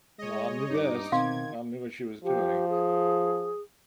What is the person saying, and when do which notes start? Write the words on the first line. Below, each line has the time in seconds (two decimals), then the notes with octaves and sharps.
Mom knew best. Mom knew what she was doing,
0.19 G#3 C#5 D#5
0.70 G2 D#4 D6
1.12 B2 D#3 C4 F5 C6 G#6
2.24 F3 G4
2.69 G#4